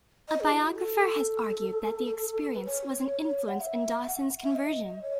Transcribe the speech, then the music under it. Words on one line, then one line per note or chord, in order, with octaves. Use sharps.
A biographer has argued that the experience was an influence in Dawson's conversion.
D#5
G#4
E4
F#4
A4
B4
C#5
F#5
E5
F#5
F#5
E5
D#5
C#5